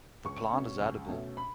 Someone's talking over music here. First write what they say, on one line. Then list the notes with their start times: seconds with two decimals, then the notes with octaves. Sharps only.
The plant is edible.
0.25 C#2 C#6
0.53 B2 A3 C#4
0.81 C#2
1.09 B2 A3 C#4
1.37 B5